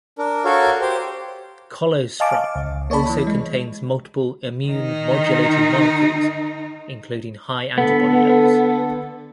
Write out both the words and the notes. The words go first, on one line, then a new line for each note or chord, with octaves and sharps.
Colostrum also contains multiple immune modulating molecules, including high antibody levels.
D4 A#4
F#4 A4 A#4 C#5 F5
G4 C5
D#5 F5 G#5 A5 C#6 D6
F5
C#2
A#3 C#5 D5 A5 B5
E3
G#3
D#3 D#4
D3 B3 A4